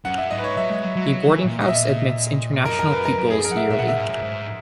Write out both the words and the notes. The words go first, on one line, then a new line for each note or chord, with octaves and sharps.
The boarding house admits international pupils yearly.
F#2 F#5
E5
G#2 D#5
B4
C#5
F#3 E5
G#3
F#3
F#3
F#3
E3
A#2
A#2 D#5
E5
D#5
F#2 A#4
A#4
B4
A#4
F#2
G#4
A#4
F#5
E5
A#2 E5
B2 F#5
A#2
E5
G#2
F#2
G#2